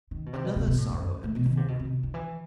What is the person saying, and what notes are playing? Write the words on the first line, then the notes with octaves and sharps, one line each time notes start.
Another sorrow had befallen him.
D#3
B2
C3
B2
C3
B2
A2
F#2
F#2
A2
B2
D#3
C3
B2
C3
D#3
E3